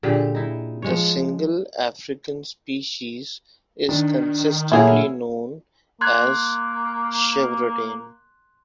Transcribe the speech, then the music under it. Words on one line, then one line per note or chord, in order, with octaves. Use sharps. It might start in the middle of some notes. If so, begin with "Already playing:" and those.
The single African species is consistently known as "chevrotain".
A#2 D3 G4 G#4
D#4 E4
F3 G#3 C#5
D#3 D4
A#2 F#3 A3 E4 G#4 A#4
A#3 C6 F#6 G#6